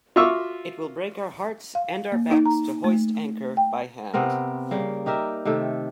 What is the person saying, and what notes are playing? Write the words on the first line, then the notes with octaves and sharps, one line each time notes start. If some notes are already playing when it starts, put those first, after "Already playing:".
It will break our hearts and our backs to hoist anchor by hand.
F4 F#4 E5 C#6 D6 E6
F5
A#3
D#4
A#5
A3
G5
C3 B3 C4 A#4
C#3 G3 A#3
D#4 G4 A#4 E5
C3 D#3 A3 A4